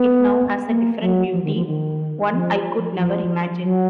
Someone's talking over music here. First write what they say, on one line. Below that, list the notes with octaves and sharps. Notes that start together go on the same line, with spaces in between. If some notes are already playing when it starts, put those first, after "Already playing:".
It now has a different beauty, one I could never imagine.
Already playing: B3
A#3
F#3
F3
D#3
F3
D#3
F3
F3
F#3